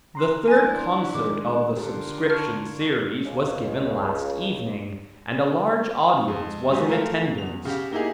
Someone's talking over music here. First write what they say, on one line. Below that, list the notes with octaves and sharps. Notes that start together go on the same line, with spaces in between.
The third concert of the subscription series was given last evening, and a large audience was in attendance.
A#5 C6 F#6
F3 D4 E4 G#5 A6
A2 D#3 G#3 D6
D3 F4 G4 A4 A#4
A5 C#6 F6 G#6
C#2 C#3
F2
G#2 F#3 G4 C5 G#5
F3 A3 A#4 F5
E2 F7
C#3 G4 F5
A#3 D#4 E4 G4 G#4